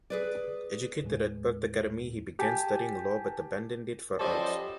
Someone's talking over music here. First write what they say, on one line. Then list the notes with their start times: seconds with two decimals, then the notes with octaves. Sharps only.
Educated at the Perth Academy, he began studying law, but abandoned it for art.
0.10 G#4 B4 D5
1.03 D#2 A2 G#3
2.39 G4 G#5 A5
4.20 F#2 F3 G3 A4 C5 D#5